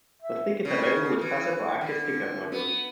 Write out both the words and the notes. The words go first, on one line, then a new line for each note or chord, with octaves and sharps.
The Stick is available with passive or active pickup modules.
E5
C#3
E3
D3
B3